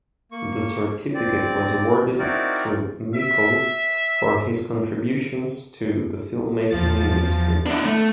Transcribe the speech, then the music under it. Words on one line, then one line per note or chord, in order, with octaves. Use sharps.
The certificate was awarded to Mikels for his contributions to the filmmaking industry.
A#3 C#6
C4 D5
C4 D#4 E4 F#4 A#4 D5
E5
E2 F3 A6
B3 D4 E4
A3